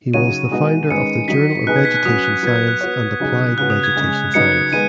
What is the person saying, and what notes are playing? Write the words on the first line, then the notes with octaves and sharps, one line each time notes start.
He was the founder of the "Journal of Vegetation Science" and "Applied Vegetation Science".
C#3 F#3 D#4 F#4 C#5 D#7
B2 G#3 D#4 F#4 B4
D#3 G#3 C#4 B4 C#7
D#3 F#3 D#4 B6
B2 B3 D#4 G#4 F#6
G#6
B6
F#6
F#3 C#4 F#4 B4 D#6
F#6
F#3 B3 F#4 B4 G#6
F#6
F#6
B3 F#4 C#5
C#3 F#3 D#4 G#4
C#3 B3 F#4 F#6
D#6
G#6
C#3 G#3 C#4
C#3 F#3 D#4 B4 C#7
D#3 G#3 B3 D#7